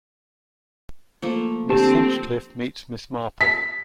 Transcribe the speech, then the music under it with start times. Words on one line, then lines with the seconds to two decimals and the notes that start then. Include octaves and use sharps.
Miss Hinchcliffe meets Miss Marple.
1.22 F3 A3 A#3
1.70 D3 C4 G4 A5
3.41 B6